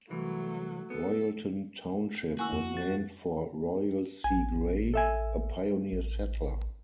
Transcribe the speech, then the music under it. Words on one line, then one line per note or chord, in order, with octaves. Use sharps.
Royalton Township was named for Royal C. Gray, a pioneer settler.
C2 E3 F#3 A3
B3 A4
A#3 E4 F#4 G#5 C#6 E6
F2
A6
A1 G#5
A4 E5 G#5
A1